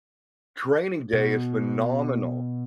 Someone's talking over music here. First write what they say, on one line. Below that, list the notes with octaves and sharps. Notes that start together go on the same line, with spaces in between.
Training Day is phenomenal.
B2